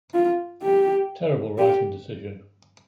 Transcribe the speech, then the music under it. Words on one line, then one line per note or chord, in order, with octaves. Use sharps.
Terrible writing decision.
F4
G4
G4